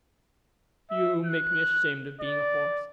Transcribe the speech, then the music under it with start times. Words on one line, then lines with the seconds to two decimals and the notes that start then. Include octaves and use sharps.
You make me ashamed of being a horse.
0.90 E5
1.26 F#6
2.21 D5